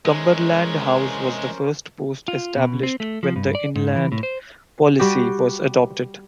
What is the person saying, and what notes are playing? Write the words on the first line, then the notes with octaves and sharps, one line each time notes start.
Cumberland House was the first post established when the inland policy was adopted.
E3 G#3 C#4 A#4 C5
F4
B2
C4
A3
F3
G2
D5
G#2
E3
A2
C5
G3 F#4 G4